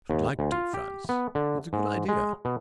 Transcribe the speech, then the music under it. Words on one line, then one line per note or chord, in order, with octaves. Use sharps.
I should like to, Frantz; it's a good idea.
D#2
D2
F4
G4
B3
D3
G#2
G#3
B2